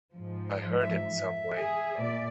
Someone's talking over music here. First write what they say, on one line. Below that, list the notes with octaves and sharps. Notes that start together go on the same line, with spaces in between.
I hurt it some way.
G#2 F3
E5
G#4
A#2 D5